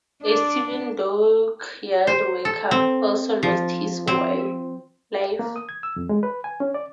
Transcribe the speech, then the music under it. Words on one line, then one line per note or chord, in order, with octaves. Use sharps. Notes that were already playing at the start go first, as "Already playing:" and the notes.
A civilian dockyard worker also lost his life.
D4 D5
C5
A4
C4
F3
C4
A#3
D#6
G#6
E6
F2
G#3
B4
G#5
C#4
D5